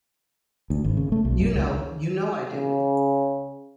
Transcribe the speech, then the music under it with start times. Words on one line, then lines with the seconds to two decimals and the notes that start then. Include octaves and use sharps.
You know, you know I do!
0.70 D2
0.84 G#1
0.97 C#3
1.12 A3
1.25 B1
1.40 F#2
1.55 C#2
2.55 C#3